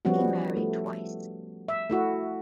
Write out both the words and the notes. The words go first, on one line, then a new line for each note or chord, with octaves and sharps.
He married twice.
F3 G3 B3 C#4 F#4
A3
E5
A3 E4 F#4